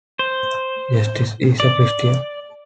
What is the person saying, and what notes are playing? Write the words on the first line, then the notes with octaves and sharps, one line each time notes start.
Justice is a Christian.
C5
D5